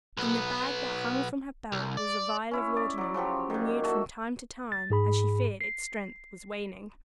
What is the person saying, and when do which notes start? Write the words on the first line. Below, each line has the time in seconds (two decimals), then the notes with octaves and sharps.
In the bag that hung from her belt was a vial of laudanum, renewed from time to time as she feared its strength was waning.
0.17 B1 B3
1.72 C2
1.97 D5
2.51 C#4 E4 C#5
2.77 D5
2.98 F#3 D5
3.14 C#3 F3 F#3 G4
3.50 A#2 D#3
3.84 F#4 A4 E5
4.72 A6
4.90 G#2 G#4 B5
5.61 C7